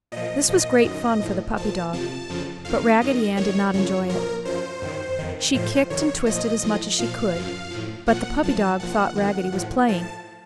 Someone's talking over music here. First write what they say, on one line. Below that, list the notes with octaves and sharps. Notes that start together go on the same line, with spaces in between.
This was great fun for the puppy dog, but Raggedy Ann did not enjoy it. She kicked and twisted as much as she could, but the puppy dog thought Raggedy was playing.
A#2 F3 D#5
A#2 F3 D#5
F#2 D#3
A2 F3
A#2 F3 A5
F2 C3 F3 A5
F2 C#3 F3
F2 D#3 F5
F#2 D#3 D#5
F#2 D#3 C#5
F#2 C#3 F3 C#5
A#2 F3 A#4
F#2 F3 C5
F#2 D#3
F2 D#3
A2 F3 C5
F2 D#3 C#5
A#2 F3 D#5
A2 F3
A#2 F3 F5
F#2 F3
A2 F3
A#2 F3 F#5
F#2 F3 A5
A#2 F3 F#5
F2 D#3
A2 F3
A2 F3 A5